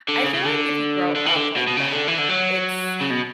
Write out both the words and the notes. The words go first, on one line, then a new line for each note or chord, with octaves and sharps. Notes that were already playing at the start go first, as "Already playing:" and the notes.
I feel like if you grow up like that, it's
D3
C#3
C#3
D3
D3
E3
D3
B2
B2
C#3
D3
E3
D3
F#3
C#3
B2